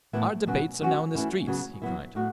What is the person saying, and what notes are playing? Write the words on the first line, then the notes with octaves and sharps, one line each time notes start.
"Our debates are now in the streets," he cried.
A2 E3 B3 E4
B2 F#3 C#4 F#4
F#3 C#4 F#4
E3 A3 C#4 E4
C#3 F#3 B3 F#4
F#3 B3 E4
A2 A3 F#4